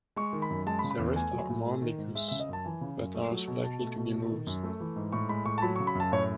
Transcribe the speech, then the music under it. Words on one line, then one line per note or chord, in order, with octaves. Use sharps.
The rest are more ambiguous, but are also likely to be moose.
G#3 C#6
D#3
B5
F#2
G#3 A5
B5
C#3
B5
E2
A3 G#5
F#3
A2
A3
D#3
G#2
G#3 E5
C#3 E5
D#5
F#2 A5
E3 G#5
C#3
F#2
A3
F#3
B2
B2 A5
A3
B2
A3
D#3
F#2
A3
E3
G#2
A2 C#6
G#3 B5
A2 C#6
A5
F#3 B5
C#6
C#3
B5
F#2 A5
A2 C#5